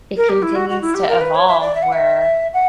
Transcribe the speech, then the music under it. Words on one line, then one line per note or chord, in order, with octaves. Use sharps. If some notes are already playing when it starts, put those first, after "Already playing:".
it continues to evolve where
A#4
G4
E4
F#4
F#4
E4
G4
A#4
B4
C#5
E5
D5
E5
F#5
E5
F#5